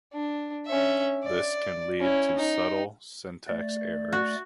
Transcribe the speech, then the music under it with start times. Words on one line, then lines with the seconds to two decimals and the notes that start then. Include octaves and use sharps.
This can lead to subtle syntax errors.
0.13 D4
0.66 C#4 E5
1.24 D5
2.00 C#4 E4
2.35 D#4
3.48 A3 D5
4.13 F#4